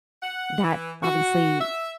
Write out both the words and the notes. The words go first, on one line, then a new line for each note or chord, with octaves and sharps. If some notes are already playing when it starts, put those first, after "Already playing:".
that obviously,
F#5
E3
F#4
E5